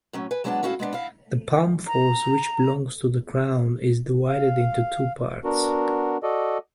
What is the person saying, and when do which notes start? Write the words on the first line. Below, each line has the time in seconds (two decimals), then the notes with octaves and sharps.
The palm forest which belongs to the crown is divided into two parts.
0.13 A2 F#3 C#4
0.31 B4 G#5
0.44 F#3 G#3 B3 D4 G5 A5
0.63 C#4 E4 F#4 A4 E5 F5
0.80 G#3 B3 D4
0.93 E4 F5
1.87 A#5
4.29 F5
5.44 B3 D4 F#4 A#4
6.23 F#4 A4 D5 D#5